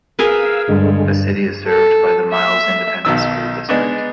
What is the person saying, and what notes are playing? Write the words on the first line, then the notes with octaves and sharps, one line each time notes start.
The city is served by the Miles Independent School District.
G#4 A#4 B4 F5 E6
G2 D3 G#3
A4
E5
B1 B2 D#3 E6
G#3 B3 D4 D#4